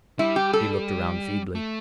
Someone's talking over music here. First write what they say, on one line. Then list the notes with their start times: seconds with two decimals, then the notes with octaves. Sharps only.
He looked around feebly.
0.19 G3 E4
0.36 G4
0.53 A4
1.55 A3